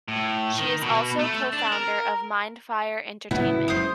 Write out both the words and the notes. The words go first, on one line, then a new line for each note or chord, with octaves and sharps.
She is also co-founder of Mindfire Entertainment.
A2
D#3
B2
A3
D4
A#4
A2 C#3 F#3 B3 E4
F#2 G#3 C5 D#6